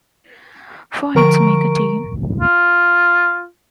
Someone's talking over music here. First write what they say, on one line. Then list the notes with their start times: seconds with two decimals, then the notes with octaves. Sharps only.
Four hits make a team.
1.15 D3 F3 A#4 A#5 C#6 D7
2.40 F4